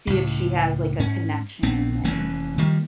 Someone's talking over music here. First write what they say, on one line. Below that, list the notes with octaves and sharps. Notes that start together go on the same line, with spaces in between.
See if she has, like, a connection and
C#2 A2
G#2 C#4
A#1 B3 C4
F1 E3 A#3 C#4
D#3 F3 G3 A#3